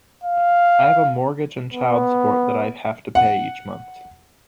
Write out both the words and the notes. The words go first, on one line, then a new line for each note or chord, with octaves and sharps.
I have a mortgage and child support that I have to pay each month.
F5
B3
F#5